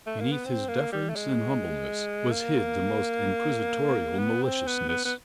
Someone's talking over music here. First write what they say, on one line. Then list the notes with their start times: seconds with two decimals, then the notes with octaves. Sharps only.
Beneath his deference and humbleness was hid the most inquisitorial maliciousness.
0.06 A3
0.20 A#3
0.32 B3
0.46 C4
0.69 A#3
0.92 G3
1.10 A3
1.16 G#3
2.32 A#3
4.19 B3
4.43 C4
4.67 B3
4.89 B3
5.05 B3